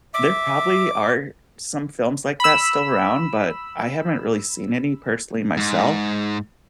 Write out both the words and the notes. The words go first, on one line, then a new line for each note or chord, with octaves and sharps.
there probably are some films like that still around, but I haven't really seen any personally myself,
E5 D6
B5 E6
G#2